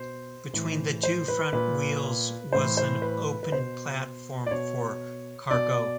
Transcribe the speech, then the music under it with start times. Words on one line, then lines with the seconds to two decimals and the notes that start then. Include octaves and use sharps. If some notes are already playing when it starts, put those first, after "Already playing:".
Between the two front wheels was an open platform for cargo.
Already playing: B2 C5
0.54 A2 E3
1.03 C5
1.28 B4
1.53 A#2 B4
2.53 A2 E3 C5
2.77 C5
3.02 B4
3.43 B4
3.52 B2 C5
4.46 D5
4.51 B2 C#5
5.51 B2 D5